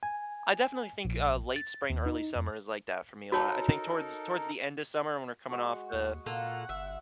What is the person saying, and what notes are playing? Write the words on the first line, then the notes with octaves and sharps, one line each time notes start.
I definitely think, uh, late spring, early summer is like that for me a lot. I think towards towards the end of summer when we're coming off the
G#5
A#1
A6
D#2
D#4
F2
D#4 F#4 A4 A#4 C#5 A5
G#3 F#4 C#6
D#2
A#2 A#3 F4 A4 F#5
G1 E5